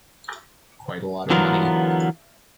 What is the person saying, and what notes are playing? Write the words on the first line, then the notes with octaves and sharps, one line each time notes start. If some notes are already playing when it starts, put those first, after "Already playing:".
Quite a lot of money.
D3 E3 F#3 B3 F4 A#4